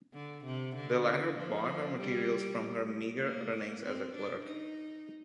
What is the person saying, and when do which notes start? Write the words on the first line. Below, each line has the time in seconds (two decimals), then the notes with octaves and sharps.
The latter bought her materials from her meager earnings as a clerk.
0.14 D3
0.45 C3
0.76 D3
1.37 F3
2.00 G3
3.22 A#3
3.84 C4
4.15 D4
4.45 D#4